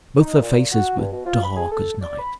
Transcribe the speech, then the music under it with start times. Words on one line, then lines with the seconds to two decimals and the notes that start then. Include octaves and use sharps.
Both their faces were dark as night.
0.19 D#4
0.42 A#2
0.72 F#4
0.98 G2
1.12 B2
1.26 F4
1.43 B5
1.57 G#4
1.71 A4
2.02 D5
2.19 B5